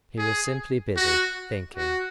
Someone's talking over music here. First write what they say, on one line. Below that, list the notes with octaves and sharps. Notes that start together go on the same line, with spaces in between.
He was simply busy--thinking.
G#4
F#4
F#4